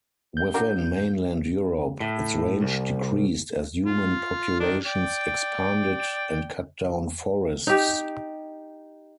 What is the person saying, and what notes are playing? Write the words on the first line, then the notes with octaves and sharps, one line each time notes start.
Within mainland Europe, its range decreased as human populations expanded and cut down forests.
G6
D4 F#4 A#4
A2
C2
F4
D#3 D4
D5 G5
D#4 G4